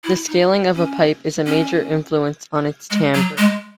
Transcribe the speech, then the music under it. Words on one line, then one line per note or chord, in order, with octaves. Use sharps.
The scaling of a pipe is a major influence on its timbre.
E4
D#4
C#4
C#4
G#3
F#3
G#3